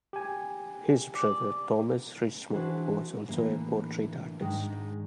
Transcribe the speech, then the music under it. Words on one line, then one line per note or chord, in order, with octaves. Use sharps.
His brother Thomas Richmond was also a portrait artist.
G4 G#5
D5
E3 D4 F#4 G#4 C5
A2 D3 E3 A#3
G#2 D#3 G#3 D4